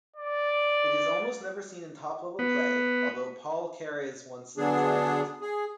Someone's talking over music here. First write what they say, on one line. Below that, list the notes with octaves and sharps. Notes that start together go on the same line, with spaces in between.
It is almost never seen in top-level play, although Paul Keres once tried it.
D5
B3
D3 F#3 B3 D4 G#4
G#4